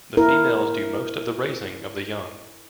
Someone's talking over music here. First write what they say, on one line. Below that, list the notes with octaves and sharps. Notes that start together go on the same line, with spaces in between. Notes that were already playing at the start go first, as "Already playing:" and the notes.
The females do most of the raising of the young.
E4 A#4